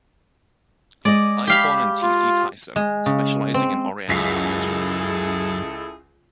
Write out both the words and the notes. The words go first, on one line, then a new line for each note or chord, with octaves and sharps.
Eichhorn and T. C. Tychsen, specialising in oriental languages.
G#3 D5 D#5
G4 F5 B5
F4
G#3
C#3
C4
C#2 F#2 E4 G#4 A4 B6 C7